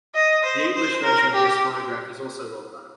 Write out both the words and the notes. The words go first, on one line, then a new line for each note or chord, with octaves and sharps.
The English version of this monograph is also well known.
D#5
C5
C5
A#4
G4